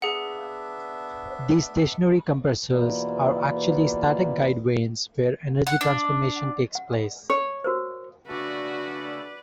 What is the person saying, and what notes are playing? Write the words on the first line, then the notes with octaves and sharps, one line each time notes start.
These stationary compressors are actually static guide vanes where energy transformation takes place.
B3 D4 G#4 E5 F#5
E2 B2 A#3 F4 B4 D5
F#5
D4
F#5
C#5
F#4 A#4 C5
C#3 A3 D4 F#4 A4 B4 D5